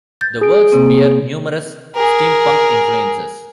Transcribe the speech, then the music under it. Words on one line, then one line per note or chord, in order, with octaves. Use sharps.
The works bear numerous steampunk influences.
G6 A6
G#4 D7
C3 A#3 C4
G#4 A#4